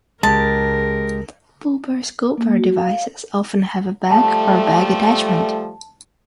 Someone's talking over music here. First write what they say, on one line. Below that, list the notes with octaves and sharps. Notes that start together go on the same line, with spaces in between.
Pooper-scooper devices often have a bag or bag attachment.
C#2 G#3 G4 A#4 A5
A#3
F#4
F5
F3 G3 A3 A5